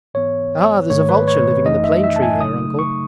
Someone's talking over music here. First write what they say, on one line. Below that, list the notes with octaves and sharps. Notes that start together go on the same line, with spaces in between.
'Ah, there's a vulture living in the plane tree here, Uncle.
G#2 E3 B3 C#5
G#2 D#3 A3 C#5
B4
C#5
F#2 E3 A3 D#4 D#5
E5
E5
A5
G#5
C#3 F#3 A3 D#4 D#6
C#6